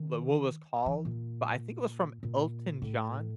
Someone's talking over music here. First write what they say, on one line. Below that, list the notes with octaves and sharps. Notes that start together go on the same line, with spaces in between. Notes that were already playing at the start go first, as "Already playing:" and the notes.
the what was called, but I think it was from Elton John
Already playing: D#3
E3
A#2
A#2
A2